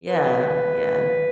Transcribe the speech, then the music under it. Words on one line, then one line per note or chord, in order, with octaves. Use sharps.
Yeah. Yeah.
B4